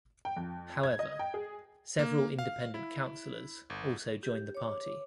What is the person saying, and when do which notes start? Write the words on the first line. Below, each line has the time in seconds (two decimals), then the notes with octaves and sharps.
However several independent councillors also joined the party.
0.25 G5
0.37 F2
0.83 G#6
0.99 D#5
1.19 G5
1.34 G#4
1.99 A#3
2.39 F5
2.74 E4
3.70 G1
4.23 G4
4.55 C#5 D6